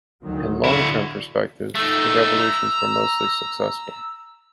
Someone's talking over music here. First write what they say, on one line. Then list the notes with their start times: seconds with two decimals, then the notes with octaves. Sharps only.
In long-term perspective, the revolutions were mostly successful.
0.24 D2 D#3 F#3
0.65 D3 E4 F#4
1.75 A3 D#4 E6
2.39 A#5